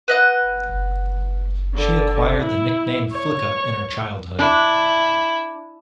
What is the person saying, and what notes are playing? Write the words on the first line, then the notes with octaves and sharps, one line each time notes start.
She acquired the nickname "Flicka" in her childhood.
B4 D#5 F#5
D3
E4
C#5
D4 E4